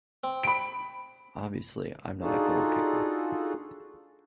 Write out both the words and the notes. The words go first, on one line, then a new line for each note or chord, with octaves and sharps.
Obviously I'm not a goal-kicker.
C4
B5 D7
D4 D#4 F4 F#4 G#4 A4